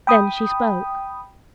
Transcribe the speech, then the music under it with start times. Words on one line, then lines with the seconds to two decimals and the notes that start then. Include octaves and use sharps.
Then she spoke.
0.07 G5 B5 D#6